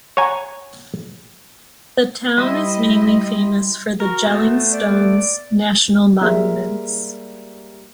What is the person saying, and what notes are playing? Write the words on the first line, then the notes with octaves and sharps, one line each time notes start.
The town is mainly famous for the Jelling stones, national monuments.
C#5 F#5 G#5 A#5
G3 E4 C5 D#5 E5
F#4 A#4
A3 B3 C5
D5
G3 G#3 A#3 E5